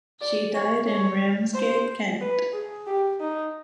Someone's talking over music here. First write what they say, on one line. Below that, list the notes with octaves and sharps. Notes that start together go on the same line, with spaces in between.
She died in Ramsgate, Kent.
D5
C#5
C#5
C5
B4
G#4
G4
D#4